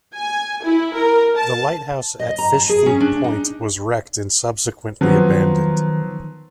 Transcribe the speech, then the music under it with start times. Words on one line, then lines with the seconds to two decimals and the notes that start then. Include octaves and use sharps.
The lighthouse at Fish Fluke Point was wrecked and subsequently abandoned.
0.15 G#5
0.65 E4
0.95 A#4
1.37 A5
2.19 D#5
2.38 A#5
2.53 A5
2.69 G#4
2.86 C#4
3.00 D4
3.24 D#4
5.01 D#3 F3 F#3 B3